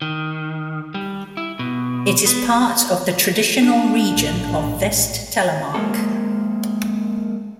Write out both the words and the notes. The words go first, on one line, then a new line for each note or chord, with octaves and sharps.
It is part of the traditional region of Vest-Telemark.
D#3
G3
E4
B2
B3
D4
A#1 A2
G#3 A#3 C4 A4